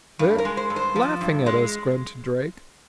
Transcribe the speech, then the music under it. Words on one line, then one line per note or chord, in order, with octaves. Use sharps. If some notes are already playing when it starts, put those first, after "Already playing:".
"They're--laughing at us!" grunted Drake.
G2
A#4
G#3
C5
G2
C5
F3
G2
G#3